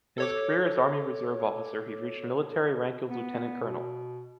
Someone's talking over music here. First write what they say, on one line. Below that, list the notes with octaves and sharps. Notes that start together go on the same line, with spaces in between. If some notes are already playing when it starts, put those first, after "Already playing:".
In his career as army reserve officer he reached military rank of lieutenant colonel.
A4 C#5 D6
B3
B2